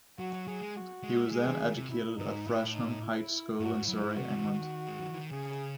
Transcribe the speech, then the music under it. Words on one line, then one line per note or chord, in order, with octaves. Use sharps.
He was then educated at Frensham Heights School in Surrey, England.
F#3 F#4
F#3
F#3 G#4
G#3
F#4
G#3
A3
G#3 G#4
E3
D#3
C3
E4
G#2 D#4
A2 E4
D#4
E4
G#2 F#4
G#2
F#2 E4
G#2
C3 F#4
E3
D#3
G#3
F#3
E3
D#3
C#3 G#4